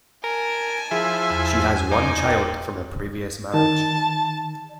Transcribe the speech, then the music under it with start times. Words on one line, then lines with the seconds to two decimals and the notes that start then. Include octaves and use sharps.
She has one child from a previous marriage.
0.24 A#4 G#5 A5
0.91 F3 E4 G#4 E5
1.30 E2
1.92 F#2 D#4 C5 D6
2.25 A#3 D4 G5
3.54 D#3 A5